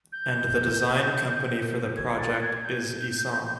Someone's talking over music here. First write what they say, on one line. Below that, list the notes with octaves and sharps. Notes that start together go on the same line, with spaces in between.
And the design company for the project is Isan.
G6
G#6
A6
G#6
G6